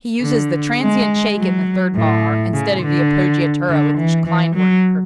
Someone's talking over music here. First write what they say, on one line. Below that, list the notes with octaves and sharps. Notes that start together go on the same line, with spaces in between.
He uses the transient shake in the third bar, instead of the appoggiatura which Klindworth prefers.
D3
G#3
F#3
A2
C#3
D3
D3
E3
E3
F#3